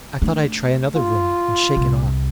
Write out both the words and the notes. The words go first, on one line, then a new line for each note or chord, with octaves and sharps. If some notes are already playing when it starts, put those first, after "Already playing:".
I thought I'd try another room, and shake it off.
A3 D4
F4
C2